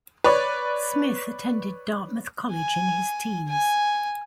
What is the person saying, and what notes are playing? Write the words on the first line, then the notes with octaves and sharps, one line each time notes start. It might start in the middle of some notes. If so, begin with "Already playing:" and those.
Smith attended Dartmouth College in his teens.
B4 C#5 D5
G#5
G#5